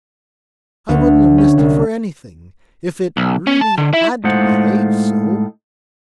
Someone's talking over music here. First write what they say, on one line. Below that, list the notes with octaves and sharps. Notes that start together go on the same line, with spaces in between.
"I wouldn't have missed it for anything--if it really had to behave so."
D2
C#4
C2
B1
C#4
A5
D3
E4
A2 G#3 D#4 F4 C5 F#5